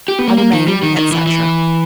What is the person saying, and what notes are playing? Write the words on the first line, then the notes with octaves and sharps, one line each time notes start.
I remain, etc.
G4
B3
A#3
A#3
D#3
G3
D#3
D#3
E3
E3